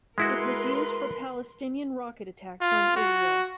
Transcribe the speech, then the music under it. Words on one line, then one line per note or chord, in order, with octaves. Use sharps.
It was used for Palestinian rocket attacks on Israel.
G#3 E4 F#4 A#4 B4 C6
F4
F#4